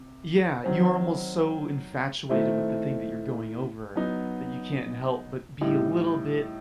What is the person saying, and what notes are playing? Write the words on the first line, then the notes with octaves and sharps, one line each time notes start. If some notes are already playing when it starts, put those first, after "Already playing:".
Yeah, you're almost so infatuated with the thing that you're going over that you can't help but be a little bit
Already playing: C3
D#3 F#3 C4
D#3 A3 C4 E4
F#3 B3 D#4
A2 E3 G3 D#4